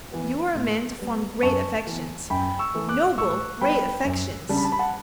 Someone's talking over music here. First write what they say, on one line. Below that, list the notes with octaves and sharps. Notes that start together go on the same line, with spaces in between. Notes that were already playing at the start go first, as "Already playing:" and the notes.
You are a man to form great affections,--noble, great affections.
E3 B3
A2
G3 B3
F#2 A5 C#6
E3 B3
F#2 G5 B5
C#6 E6
E3 A3
D6 F#6
A2 C#6 E6
G3 B3 D4 G5 B5
F#2
C#3 G3 D4 A5
B5
A5
B5
F#5 A5